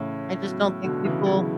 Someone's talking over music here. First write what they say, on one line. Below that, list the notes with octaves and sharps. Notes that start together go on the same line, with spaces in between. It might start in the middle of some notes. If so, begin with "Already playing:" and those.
I just don't think people
Already playing: A2 C#3 E3 A3 C#4
F#3 B3 F#4
B2 D3
C#3 E3
F#3 B3 E4 G#4